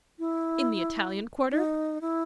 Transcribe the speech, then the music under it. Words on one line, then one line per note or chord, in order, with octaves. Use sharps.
"In the Italian Quarter?"
E4
D#4
E4